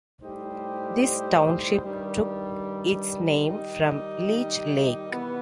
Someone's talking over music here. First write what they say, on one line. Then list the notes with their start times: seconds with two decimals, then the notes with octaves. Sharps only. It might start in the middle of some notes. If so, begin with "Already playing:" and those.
This township took its name from Leech Lake.
0.21 A2 G3 D#4 G4 C5
1.83 G2 D#3 G3
3.46 D#3 G3 D#4 G4
5.09 C3 E3 B3